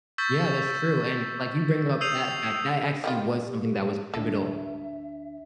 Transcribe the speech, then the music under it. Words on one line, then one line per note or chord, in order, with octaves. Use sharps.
Yeah, that's true. And like you bring up that fact, that actually was something that was pivotal.
C#6 E6 G6 A6 B6
D#6 E6 G6 C7 D#7 F7
D#3 B3 F4 G4
D2 D4 A4 E5